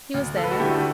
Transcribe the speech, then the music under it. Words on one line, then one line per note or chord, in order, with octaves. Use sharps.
He was there?
D2
A4
B4
F#4 A4
D3 A3 E4 G4